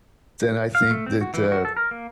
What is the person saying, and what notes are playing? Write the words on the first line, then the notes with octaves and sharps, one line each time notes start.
then I think that, uh
F5
A3
C4
F#4
E3
F#4
A4
A#4
A#3